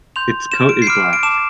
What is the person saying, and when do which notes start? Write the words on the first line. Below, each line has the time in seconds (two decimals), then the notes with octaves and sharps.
Its coat is black.
0.16 C6 G6 F7
0.52 C6 F6 E7
0.69 D7
0.82 C7
0.87 B5 D6 F6 D7
1.13 D7
1.23 A5 D6 F6 E7